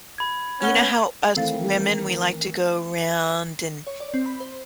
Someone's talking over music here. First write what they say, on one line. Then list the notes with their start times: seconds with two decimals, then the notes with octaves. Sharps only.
You know how us women, we like to go around and,
0.18 B5 G#6
0.61 B3 C#4 G#6 G7
1.36 D#3 E3 A3 C4 A4 A#4 F5 A6
3.87 C#5
4.00 D5
4.14 C4
4.26 B5
4.40 C5